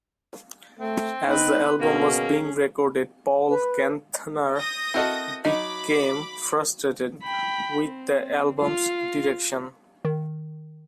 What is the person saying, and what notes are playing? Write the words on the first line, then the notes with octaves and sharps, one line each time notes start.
As the album was being recorded, Paul Kantner became frustrated with the album's direction.
A3 C4
B3 D#4 B4
B2 A#3 C#4 G#4
B4
D#6 G6 A#6
C4 E4 F#4 A4 A#4 D#5
F#3 D#4 D#5 B5 D6
G5 B5
C4
F4 F5
D#3